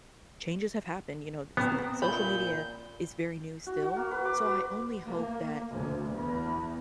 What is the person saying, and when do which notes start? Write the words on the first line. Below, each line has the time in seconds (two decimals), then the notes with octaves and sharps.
changes have happened. You know, th s social media is very new, still. So, I only hope that
1.57 B3 C4 A#5
2.02 A#2 B5 G6
3.66 F#4
3.82 F#4
3.96 A#3
4.11 B4
4.25 D6
4.46 B4
5.07 A#3
5.72 D2
6.12 E2